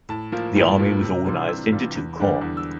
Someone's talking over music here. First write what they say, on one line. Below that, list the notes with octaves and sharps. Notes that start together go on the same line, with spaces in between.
The army was organized into two corps.
A2 A5
F3 A#3 F4
A2 G5
F3 A#3 F4
C3
A#5
E3 G3 D4 F4 C6
C6
C3 E6
E3 G3 D4 F4
E2
D3 G3 D4
E2
E6